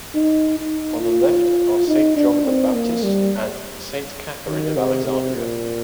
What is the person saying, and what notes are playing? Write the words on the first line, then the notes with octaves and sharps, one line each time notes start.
On the left are Saint John the Baptist and Saint Catherine of Alexandria.
D#4
D#4
F4
D#4
D4
C4
A#3
G3
D#3
C3
C3
A#2